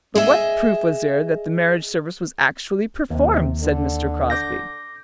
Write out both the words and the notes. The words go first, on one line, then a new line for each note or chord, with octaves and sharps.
"But what proof was there that the marriage service was actually performed?" said Mr. Crosby.
G#4 D#5 E5
D#2 C3
D3
D6 G6 A#6